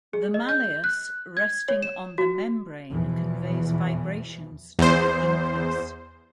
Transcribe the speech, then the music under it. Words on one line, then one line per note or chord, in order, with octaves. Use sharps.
The malleus, resting on the membrane, conveys vibrations to the incus.
G#4
D#5
G6
F#6
G#6
C#5
E7
F#4
E2 B2 E3 F3
E2 C5